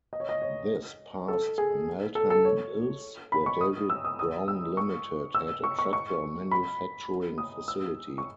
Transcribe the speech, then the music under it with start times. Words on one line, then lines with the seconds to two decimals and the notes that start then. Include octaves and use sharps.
This passed Meltham Mills, where David Brown Limited had a tractor manufacturing facility.
0.13 D#5
0.20 C#5
0.29 D#5
0.42 C#5
1.28 A4
1.58 G#4
2.15 A4
2.30 A4
2.45 C#5
3.32 B5
3.46 C#6
3.61 D#6
3.90 E6
4.05 D#6
4.19 D#6
4.48 E6
4.77 C#6
5.35 E6
5.64 C#6
5.79 C#6
5.93 C#6
6.51 B5
7.38 D#6
7.68 E6
8.18 C#6